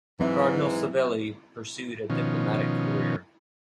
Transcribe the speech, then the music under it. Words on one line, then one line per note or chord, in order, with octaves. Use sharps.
Cardinal Savelli pursued a diplomatic career.
G#2 E3 F#3 C4 E5
B2 D#3 F3 C#4